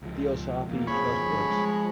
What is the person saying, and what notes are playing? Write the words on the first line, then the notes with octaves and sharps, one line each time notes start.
Theosophy Trust Books.
C#2 F3
E2 A#2 A#3
F#1 F2 F3 G#4 C#5 B5
G1 G2
C3 G#3